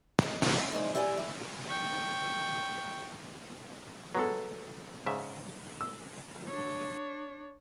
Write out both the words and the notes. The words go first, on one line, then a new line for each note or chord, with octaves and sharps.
It is part of City of Lismore.
G#3
E4
C3 G#3 D#4 D5
E4 G4 D5 F#5 G#5
E4
G5 C#6
F#3 G#3 B3 A4
G#2 C#3 E5
E6
D4 C#5